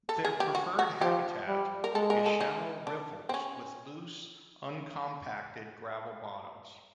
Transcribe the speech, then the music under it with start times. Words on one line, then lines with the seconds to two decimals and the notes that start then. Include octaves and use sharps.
Their preferred habitat is shallow riffles with loose, uncompacted gravel bottoms.
0.09 A4
0.25 G#4
0.40 G4
0.55 F#4
0.79 F#4
1.01 F3 G4
1.48 G3
1.84 A#4
1.95 G#3 A4
2.10 A#4
2.26 A4
2.40 D#4
2.87 D4
3.29 C4
3.34 C#4